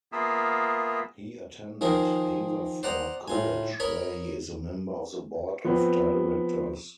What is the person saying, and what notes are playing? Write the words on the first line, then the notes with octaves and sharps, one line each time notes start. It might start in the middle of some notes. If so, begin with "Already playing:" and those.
He attended Haverford College, where he is a member of the Board of Directors.
A#3 B3 F4 G#4 A#4 E5
D#3 F3 G#4 A#4
C5 D5 F#5 A#5 D#6
A2 F4 G#5
A#4 C#5 D#5 B5
F3 B3 C4